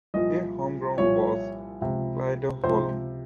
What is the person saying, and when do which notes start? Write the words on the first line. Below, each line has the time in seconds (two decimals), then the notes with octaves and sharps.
Their home ground was Clydeholm.
0.14 C2 A#2 F3 D#5
0.97 C2 A#2 F3 C#5
1.81 C#2 C3 F3
2.63 C#2 C3 F3 C5